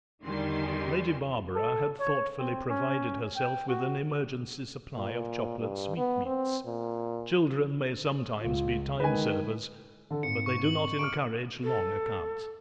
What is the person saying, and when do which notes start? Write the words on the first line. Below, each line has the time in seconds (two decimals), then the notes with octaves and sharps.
Lady Barbara had thoughtfully provided herself with an emergency supply of chocolate sweetmeats; children may sometimes be time-servers, but they do not encourage long accounts.
0.24 E2 D3 D#3 G3 G#5 C6
1.56 A4
2.00 C#5
2.39 C4
2.70 C#4
3.36 G5
3.69 F#4
4.96 A#2
5.59 G2
5.97 B3
6.26 C4
6.66 A#2
8.42 C#2 F4
9.00 D3 D#3 G#3 B4 G#5
10.11 D3 A4
10.23 G#1 C#7
10.46 C#6
10.64 F#7
10.99 C#6 D6 F6 D7
11.64 A4